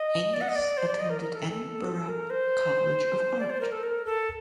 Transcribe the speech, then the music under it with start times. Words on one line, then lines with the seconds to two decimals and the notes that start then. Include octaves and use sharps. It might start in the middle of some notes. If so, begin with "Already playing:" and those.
Angus attended Edinburgh College of Art.
Already playing: D#5
0.34 D5
0.41 F#5
0.48 D#5
0.56 D5
0.77 C5
0.88 D5
0.99 D#5
1.10 A#4
1.21 A#4
1.35 A4
1.50 A4
2.08 A#4
2.30 C5
3.40 D5
3.50 C5
3.61 A#4
3.72 A4
3.83 A#4
4.05 A4